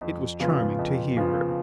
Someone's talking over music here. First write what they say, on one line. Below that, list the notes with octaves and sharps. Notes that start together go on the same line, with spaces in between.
It was charming to hear her.
F2
C#3 F3 B3 F4
F2
C#3 F3 B3 F4